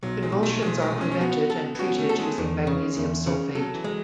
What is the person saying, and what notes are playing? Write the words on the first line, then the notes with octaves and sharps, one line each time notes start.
Convulsions are prevented and treated using magnesium sulfate.
B1 F#3
G#3
B1
A3
B1 G#3
G#3
B1
C#4
C#4
B3 F#4
A4
B3
C#4 F#4
A3
A4
G#3
E2
C#3
E2
C#3
F#3 A4
E3
G#3